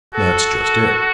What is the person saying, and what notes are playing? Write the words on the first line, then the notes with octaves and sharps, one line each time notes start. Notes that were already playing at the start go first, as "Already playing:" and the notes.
"That's just it."
F#4 A4
A4